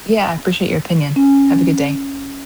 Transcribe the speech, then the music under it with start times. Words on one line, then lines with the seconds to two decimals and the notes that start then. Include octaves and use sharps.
Yeah, I appreciate your opinion. Have a good day
1.16 C#4